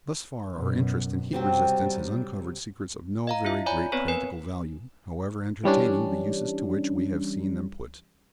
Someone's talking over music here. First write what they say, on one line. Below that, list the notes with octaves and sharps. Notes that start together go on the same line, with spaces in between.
Thus far our interest in heat-resistance has uncovered secrets of no very great practical value, however entertaining the uses to which we have seen them put.
F#2 B2
C3 F#3 G3 C4
D#5 F5 A#5
E4 F4 E5
C#5 D5 G#5 A#5 B5
B3 C4 B4 C#5 B6
A#4 B4 G#5
E3 G3 C#4 D4